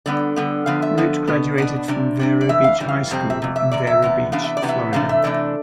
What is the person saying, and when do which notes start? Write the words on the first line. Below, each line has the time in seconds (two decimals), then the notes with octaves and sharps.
Root graduated from Vero Beach High School in Vero Beach, Florida.
0.06 D3 G3 B3 D5
0.36 D3 G3 B3
0.66 D3 F3 B3 F5
0.82 E5
0.97 D3 F3 B3
1.27 B2 B3 D4
1.58 B2 B3 D4 D5
1.88 C3 G3 D4
2.19 C3 G3 D4
2.41 D5
2.49 F2 E3 E5
2.64 F5
2.80 F2 E3 G3 D4
2.89 F5
3.11 F2 C3 G3 C4
3.30 E5
3.42 F2 C3
3.56 E5
3.71 E2 C3 D5
3.87 E5
4.02 E2 C3 B3
4.32 C3 E3 B3 D4 F5
4.44 E5
4.57 D5
4.62 C3 E3 B3 D4
4.69 E5
4.93 C3 E3 A3 D4 F5
5.09 E5
5.24 C3 E3 A3 D4 D5